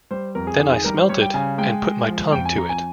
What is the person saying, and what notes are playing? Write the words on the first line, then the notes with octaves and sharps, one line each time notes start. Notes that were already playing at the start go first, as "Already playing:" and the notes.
Then I smelt it and put my tongue to it.
G3 C5
F2 A#4
G#4
D#3 G#4
G#4
G3 A#4
C5
G3 C#5
G5
C#3 G#5
G#3 G5
G#3
F3
F2 G5
G#5
F2 A#5
G#5